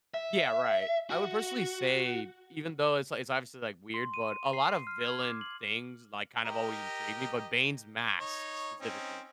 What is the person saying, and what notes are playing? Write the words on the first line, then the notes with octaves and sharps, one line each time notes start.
Yeah, right. I would personally say, even though it's like it's obviously, like, weird, but a lot of villain things, like, kind of always intrigued me, but Bane's mask, specifically.
E5
F#4
C6
D#7
C7
F6
G#6
D6
F#7
G4 A#4 D#5
D#4 C#5
C4 C#4 D#4